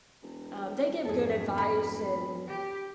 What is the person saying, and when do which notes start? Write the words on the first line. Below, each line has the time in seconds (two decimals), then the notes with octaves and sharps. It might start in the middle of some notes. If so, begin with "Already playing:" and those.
um, they give good advice, and,
0.23 E1
1.05 F2 G#2 A3 G#4 A4
1.58 B5
2.47 G4